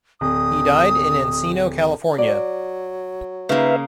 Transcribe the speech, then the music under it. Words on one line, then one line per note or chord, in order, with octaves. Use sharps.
He died in Encino, California.
D1 D#6
F#3 D5
C#3 A#3 D#4 B4 E5 F5